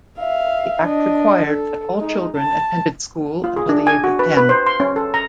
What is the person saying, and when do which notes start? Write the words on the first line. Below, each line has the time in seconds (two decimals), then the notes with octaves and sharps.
The Act required that all children attended school until the age of ten.
0.19 E5 F5
0.84 D4 D#5
1.45 A4
1.98 G#3 D#4
2.37 A5
3.44 F4
3.56 G#4
3.69 D4
3.87 G#5
4.04 F#4
4.19 B4
4.37 B4
4.49 C5
4.66 C6
4.80 C#4
4.96 A4
5.14 A#5